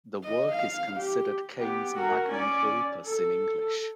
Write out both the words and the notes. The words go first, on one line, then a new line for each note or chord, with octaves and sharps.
The work is considered Kane's magnum opus in English.
D#5
F5
G4
B3 G4
F#4 A#4
C#4 D5
A4